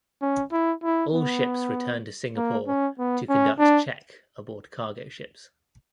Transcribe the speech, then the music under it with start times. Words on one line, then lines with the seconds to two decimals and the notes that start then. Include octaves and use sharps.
All ships returned to Singapore to conduct check aboard cargo ships.
0.22 C#4
0.52 E4
0.84 E4
1.14 B3
2.36 A#3
2.67 C#4
2.99 B3
3.29 C#4
3.59 D4